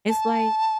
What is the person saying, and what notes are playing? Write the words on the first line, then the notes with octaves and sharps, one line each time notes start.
It's, like
A5